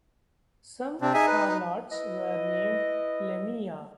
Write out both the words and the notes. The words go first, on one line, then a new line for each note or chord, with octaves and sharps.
Some harlots were named "Lamia".
C3 C4 D4
D#4 G#4 E5 G#5
B4
D#4
E4 B4 D#5